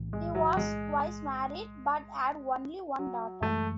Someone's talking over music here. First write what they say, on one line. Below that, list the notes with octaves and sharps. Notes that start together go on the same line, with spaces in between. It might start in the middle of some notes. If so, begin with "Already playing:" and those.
He was twice married, but had only one daughter.
Already playing: B1 A2 E3
G#3
F#3
G#3
F#3
F#2 E3 G#3 A3